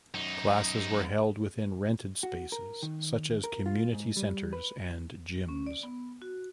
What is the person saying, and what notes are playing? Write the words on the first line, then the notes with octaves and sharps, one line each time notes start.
Classes were held within rented spaces such as community centers and gyms.
F#2 D#4
F#4
A#4
D#3
A#4
F4
G#2
G3
B4
C#4
D5
B3
F#4